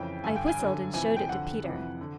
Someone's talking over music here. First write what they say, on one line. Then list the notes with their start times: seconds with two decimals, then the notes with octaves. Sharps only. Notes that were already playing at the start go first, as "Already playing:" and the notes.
I whistled and showed it to Peter.
Already playing: F2 C#3 E3 G5
0.24 G2 D3 G#5
0.36 G5
0.47 G#5
0.59 F#2 D3
0.94 F2 C3 E3 G#5
1.16 G5
1.29 F2 D3 F#5
1.64 F2 C3 E3
2.01 D3